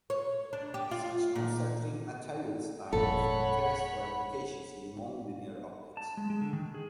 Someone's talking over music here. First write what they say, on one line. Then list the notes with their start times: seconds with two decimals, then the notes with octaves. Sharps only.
Such noncentric materials are of interest for applications in nonlinear optics.
0.10 C#5
0.53 D4
0.74 G4
0.91 F4
1.35 A#2
2.93 G1 F2 A#2 A4 C#5 F#5 B5
5.97 A5
6.17 G#3
6.30 G#3
6.41 D3
6.53 D#3
6.74 G#4